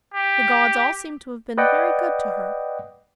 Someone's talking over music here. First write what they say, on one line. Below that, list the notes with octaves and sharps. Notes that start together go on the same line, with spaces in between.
The gods all seemed to have been very good to her.
G4
B4 D5 D#5 F#5 G5